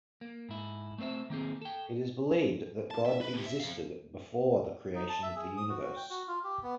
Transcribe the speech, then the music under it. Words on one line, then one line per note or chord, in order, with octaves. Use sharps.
It is believed that God existed before the creation of the universe.
A#3
G#2 E4
A3 C4 B4 C5 E5
D#3 A#3 C4 G#4
A4 G5
A5
E5
B4
B2 G4
E5
F2 F5
D#4
A5
E5
G#4
D#6
F#4
F#4
G5
F#4
F4
G4
B3